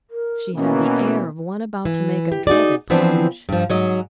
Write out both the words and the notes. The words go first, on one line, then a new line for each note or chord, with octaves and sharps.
She had the air of one about to make a dreaded plunge.
A#4
B2 E3 A#3 C#4
E3
G4
D#4 F#4 G#4 D5
E3 F3 B3 C4 D4
G2 F3
G#2 F#3 C#5 D#5